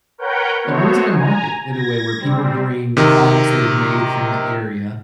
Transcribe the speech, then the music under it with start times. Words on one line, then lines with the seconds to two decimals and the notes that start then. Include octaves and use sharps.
like, almost like a market in a way where people bring products they've made from the area,
0.18 A#4 B4 C#5 F#5 G5 G6
0.63 A3 B3 F#4 C5 C#5
1.11 G#5 A#5
1.69 G#6 A#6
2.20 G3 C4
2.97 C3 D#3